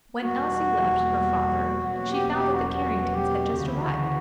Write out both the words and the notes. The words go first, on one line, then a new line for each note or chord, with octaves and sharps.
When Elsie left her father she found that the Carringtons had just arrived.
E2 B2 G3 A#3 F#4
E2 B2 F#3 A#3 C#4 F#4
G4
G4
F#4
F#4
G4
D2 C#3 E3 F#4
E4
F#4